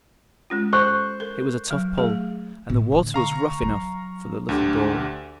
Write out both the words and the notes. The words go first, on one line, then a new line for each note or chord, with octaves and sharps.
It was a tough pull, and the water was rough enough for the little dory.
G#3 C#4 F4
A4 C5 C#6 F#6
A4 A#4
F#3
F#3 A3 G#4
A2
D3 A3
F5 A#5 C#6
F#3
D2 D3 G4